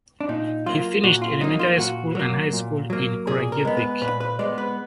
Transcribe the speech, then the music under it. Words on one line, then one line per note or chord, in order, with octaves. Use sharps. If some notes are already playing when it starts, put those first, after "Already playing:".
He finished elementary school and high school in Kragujevac.
D4
A#2 D#4
F#3 A#3 F4
A#2 F#4
F4
F#3 A#3 D#4
F4
A#2 F#4
F#3 A#3
A#2
F#3 A#3
A#2 G#4
A#4
G#3 B3
B4
A#2 B4
B4
G#3 B3 D5
B4